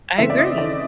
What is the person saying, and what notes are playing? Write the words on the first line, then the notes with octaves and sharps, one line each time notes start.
I agree.
C#3 E3 A3 C4 E5
D5
D#5
D5